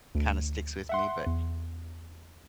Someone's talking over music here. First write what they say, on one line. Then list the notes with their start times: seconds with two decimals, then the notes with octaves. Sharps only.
kinda sticks with me, but
0.15 D2
0.89 E5 F#5 C6
1.27 E2